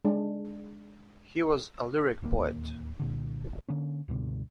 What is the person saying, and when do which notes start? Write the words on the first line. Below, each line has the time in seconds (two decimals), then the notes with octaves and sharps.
He was a lyric poet.
0.05 G#3 D4
2.22 D1 D#2 C#3 A#3
3.00 C2 A#2 D3
3.69 D3 A#3 C#4
4.08 C#2 G2 B2 D3